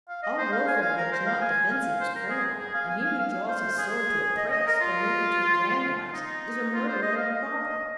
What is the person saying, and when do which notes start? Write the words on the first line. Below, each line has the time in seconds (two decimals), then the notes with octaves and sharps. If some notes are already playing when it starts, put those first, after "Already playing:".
All warfare that is not defensive is criminal; and he who draws his sword to oppress, or merely to aggrandize, is a murderer and a robber.
0.09 F5
0.23 D#5
0.38 C5
0.52 F5
0.67 G#5
0.82 F5
0.98 A#4
1.12 C5
1.26 F5
1.41 G#5
1.71 F5
2.00 C5
2.15 A#4
2.30 G#4
2.59 G#4
2.74 F5
2.89 G#5
3.04 F5
3.19 F5
3.48 C5
3.78 G#4
4.37 D#5
4.51 D#5
4.67 A#4
4.81 F4
6.13 D#4
6.73 F4
6.88 C5
7.02 D#5
7.17 F5
7.32 D#5